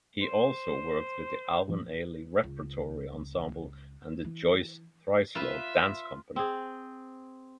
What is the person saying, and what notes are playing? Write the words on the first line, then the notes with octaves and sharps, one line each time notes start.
He also worked with the Alvin Ailey Repertory Ensemble and the Joyce Trisler Danscompany.
C5
A#1 F2
C#2
E3
F4 B4 E5
C4 G#4